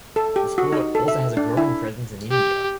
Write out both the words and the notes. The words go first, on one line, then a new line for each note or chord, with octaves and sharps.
The sport also has a growing presence in India.
A4
G4
F#4
D#4
A4
E5
D4
E4
G4